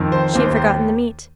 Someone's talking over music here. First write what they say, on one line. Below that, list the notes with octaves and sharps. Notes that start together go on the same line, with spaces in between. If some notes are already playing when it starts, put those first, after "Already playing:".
She had forgotten the meat.
Already playing: F2 D#3
C5
D#2 D#3 C5
C5
C5